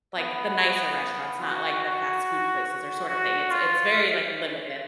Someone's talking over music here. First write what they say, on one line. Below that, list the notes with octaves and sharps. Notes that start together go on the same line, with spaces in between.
like the nicer restaurants, not like the fast food places or sort of thing, it's it's very like limited,
B3
B3
F#4
F#4
F#4
F#4
F4